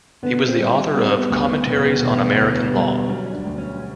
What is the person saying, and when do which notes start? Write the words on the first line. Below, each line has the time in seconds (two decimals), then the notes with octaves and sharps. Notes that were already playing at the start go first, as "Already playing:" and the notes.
He was the author of "Commentaries on American Law".
0.23 D3 B3
0.47 C4
0.59 G3
0.94 G3 B3
1.04 C4
1.16 B3
1.30 D2
1.66 E1 B3
2.02 E1
2.38 D2 B3
2.74 G3
3.09 F#3 C#4
3.33 D4
3.45 D2
3.58 C#4